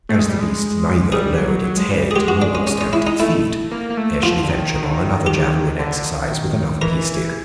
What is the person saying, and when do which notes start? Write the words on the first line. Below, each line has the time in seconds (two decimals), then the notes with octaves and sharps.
As the beast neither lowered its head nor stamped its feet Eshley ventured on another javelin exercise with another pea-stick.
0.09 A3
0.19 G#3
0.29 G3
0.40 G#3
1.12 G3 G#4
1.38 F#3
1.64 F#3
1.77 G#3
1.91 G3
2.11 G#4
2.16 G#3 G4
2.28 F#4
2.42 D4
2.55 C#4
2.67 C#4
2.81 C#4
2.93 E4
3.07 D#4
3.20 A3 E4
3.71 A#3
3.90 A#3
3.97 A3
4.23 F3 F4
4.43 D3
4.49 D#3
4.75 D#3
4.83 D3
4.91 D#3
5.26 G4
5.79 D3
6.05 D#3
6.82 E3 A#4